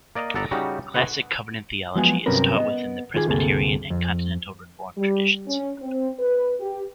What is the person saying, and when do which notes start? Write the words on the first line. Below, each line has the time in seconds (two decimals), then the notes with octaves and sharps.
Classical covenant theology is taught within the Presbyterian and Continental Reformed traditions.
0.15 A#3 D5 D#5
0.34 G1 B3 A4 D5 A5 A#5
0.51 C#3 G3 D#4 F#4 G4
0.94 B2 D3 F#4 G#4 B4 F#5
1.95 F3 F#3 G#3 B3 F#4 G#4
2.26 G2 C3 F#3 C#4 A#4 B4
2.56 B3 D#5
3.14 D#3 F4 G#4
3.28 D2 G2 C3 A#3 G#4 A4
3.90 F2
4.96 G3
5.47 C#4
5.79 C4
6.20 B4
6.60 G4